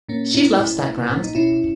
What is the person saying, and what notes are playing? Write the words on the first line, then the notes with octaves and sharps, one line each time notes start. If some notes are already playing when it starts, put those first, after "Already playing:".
She loves that ground.
A#2 A#3 C#4
A#2 C#4 E4
A#2
A#2
A#2
D#4
B2 C#4 E4